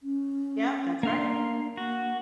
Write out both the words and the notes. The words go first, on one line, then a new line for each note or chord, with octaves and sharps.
Yeah, that's right.
C#4
A#3 D4 F5 C6
A#3 F#4